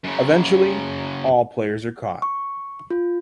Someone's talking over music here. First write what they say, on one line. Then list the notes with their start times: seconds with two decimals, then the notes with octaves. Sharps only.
Eventually, all players are caught.
0.04 F#2 C#3
2.22 C#6
2.90 F4